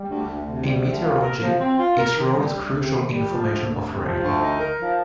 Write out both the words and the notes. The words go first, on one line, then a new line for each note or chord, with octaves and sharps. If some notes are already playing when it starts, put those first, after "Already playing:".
In meteorology, its role is crucial in the formation of rain.
Already playing: G3
D2
D2
C3
G3
D2
F4
A#4
F3
C4
F4
A#4
D#3
G3
D2
C3
D#3
G3
F3
D2
D2
C3
F3
D2
D#4
A#4
F3